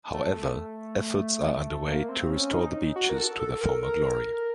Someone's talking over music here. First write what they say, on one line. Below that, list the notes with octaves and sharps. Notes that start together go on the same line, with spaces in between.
However efforts are underway to restore the beaches to their former glory.
A3
A#3
C4
C#4
D#4
F#4
A#4
A4
A4
A#4
A#4